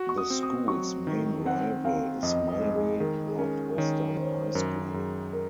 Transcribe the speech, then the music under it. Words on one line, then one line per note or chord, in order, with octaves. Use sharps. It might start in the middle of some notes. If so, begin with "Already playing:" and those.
The school's main rival is Miami Northwestern High School.
Already playing: F#4
C#6
D#6
C4
D#6
F#3 C#6
D#3
C4 F#5
C4 F5
F2 D#5
D#5
G#3
G#4
D#3 A#4
G#4
C#4 A#4
D#3 C#5
D#3 C5
C#5
C5
C#5
C5
F#2 A#4
F#2 G#4
A#4